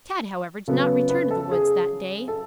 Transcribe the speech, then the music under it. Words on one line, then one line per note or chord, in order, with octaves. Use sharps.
Tad, however, did not return to the woods that day.
C#3 F#3 B3 A4
B3 B4
A4
G#4
A4